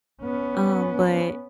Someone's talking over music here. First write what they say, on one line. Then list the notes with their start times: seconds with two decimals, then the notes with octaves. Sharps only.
um, but
0.22 B3 C#4